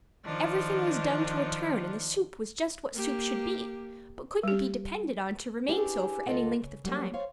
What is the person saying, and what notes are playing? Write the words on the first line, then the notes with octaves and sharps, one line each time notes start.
Everything was done to a turn and the soup was just what soup should be, but couldn't be depended on to remain so for any length of time.
D#3 F3 D4
A#3 G4
G3 G4
C#4 D4 E4 G4 G#4 B4
D2 F4 F#4 A4 D#5 F#5
C#3
F#3 G3 A3 A#3 C#4
C5 C#5 F5